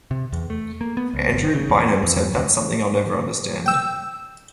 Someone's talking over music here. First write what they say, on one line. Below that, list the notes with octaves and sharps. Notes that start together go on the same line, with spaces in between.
Andrew Bynum said That's something I'll never understand.
C3
E2
A3
A#3
B3
C#2
G1
C#3
E2
F2
D2
G5 E6